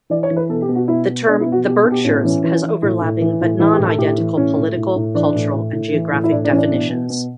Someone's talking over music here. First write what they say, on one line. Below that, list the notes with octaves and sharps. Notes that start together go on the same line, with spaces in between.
The term "The Berkshires" has overlapping but non-identical political, cultural, and geographic definitions.
E3 D5
C#5
E3
B4
B2 A4
G4
B2
F#4
B2 E4
B2
B2 D4
E4
B2
F#4
B2 G4
B2
G4
A2 C#4
B3
E3 C#4
E3
E3
A2
A2
E3
A2
E3 E4
G4
A2
A4
A2 G4
E3
A2 C#4
A2
A2
A2
E3 D4
A2
A2
A2
E3
A2
E4
A2 D4
D4
E3 C#4
D4
B2
B2
B2